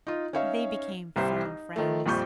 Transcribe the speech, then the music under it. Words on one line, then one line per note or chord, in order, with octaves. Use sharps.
They became firm friends.
D#4 F4
C#4 D#4 C#5 E5 F5
C2 G3 E4 C5
D#4
D#3 F3 A3
A#1 F2 G3 F4 C#6 G6